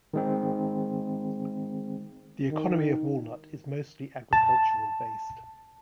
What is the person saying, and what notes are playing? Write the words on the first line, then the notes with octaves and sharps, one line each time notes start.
The economy of Walnut is mostly agricultural based.
D#3 G#3 C4
D#3
A5